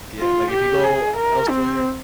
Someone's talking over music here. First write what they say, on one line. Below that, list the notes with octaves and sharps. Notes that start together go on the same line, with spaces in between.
Yeah, like, if you go elsewhere
F4
G4
G#4
A#4
C4